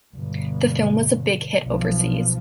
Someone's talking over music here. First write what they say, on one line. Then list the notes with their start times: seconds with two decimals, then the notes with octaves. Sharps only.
The film was a big hit overseas.
0.14 G1 B2
1.65 B1 F3